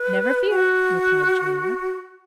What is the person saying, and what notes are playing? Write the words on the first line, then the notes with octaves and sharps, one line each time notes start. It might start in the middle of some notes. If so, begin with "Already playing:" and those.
"Never fear," replied Julia.
Already playing: B4
F#4